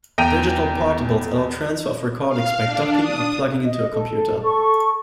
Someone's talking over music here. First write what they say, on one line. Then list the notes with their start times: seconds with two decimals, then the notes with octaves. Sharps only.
Digital portables allow transfer of recordings by docking or plugging into a computer.
0.18 E2 G5 A#5 D#7
2.29 F5
2.64 D4
3.00 D#6
3.64 D#5
3.92 A4
4.43 A4 C#6